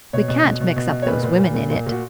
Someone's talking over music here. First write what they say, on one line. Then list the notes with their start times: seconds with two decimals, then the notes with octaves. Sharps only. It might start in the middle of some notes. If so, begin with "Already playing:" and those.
We can't mix up those women in it.
0.13 B2 C#5
0.28 B2
0.44 B2
0.60 B2
0.76 B2
0.91 B2
1.02 C#5
1.07 A#2 B4
1.23 A#2
1.39 A#2
1.54 A#2
1.70 A#2
1.87 A#2
1.92 F#4